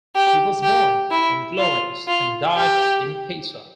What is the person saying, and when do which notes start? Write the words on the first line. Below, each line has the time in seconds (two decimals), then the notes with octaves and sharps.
He was born in Florence and died in Pisa.
0.15 G4
0.63 G4
1.11 E4
1.59 F4
2.08 F4
2.56 G4